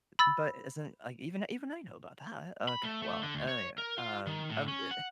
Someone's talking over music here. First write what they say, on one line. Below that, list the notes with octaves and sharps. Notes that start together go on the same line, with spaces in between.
But isn't like even even I know about that okay, well, anyway, um um i eh
B5 E6 A6
B5
A3
A3
D3
D2
C#5
A#4
F4
D#3
A2
C#4
F#5